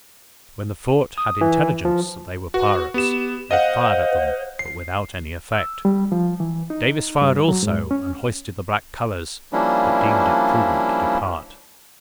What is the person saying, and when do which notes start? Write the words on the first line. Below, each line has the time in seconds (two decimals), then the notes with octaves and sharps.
When the fort had intelligence that they were pirates, they fired at them, but without any effect; Davis fired also, and hoisted the black colors, but deemed it prudent to depart.
1.18 D#6
1.41 E3
1.85 F3
2.54 F#4 B4
2.94 B3 G4 E7
3.51 C5 D#5 F5 F#5
4.59 C7
5.52 E6
5.85 G3
6.12 F3
6.40 E3
6.70 D#4
7.21 G2
7.48 F#3
7.63 G#2
7.91 C#4
9.53 F3 G3 A#3 C#4 D4 E4